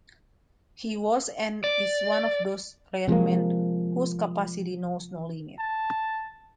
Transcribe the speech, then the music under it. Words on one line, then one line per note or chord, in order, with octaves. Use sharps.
He was and is one of those rare men whose capacity knows no limit.
D5
C3 F3 G#3 A#3
A5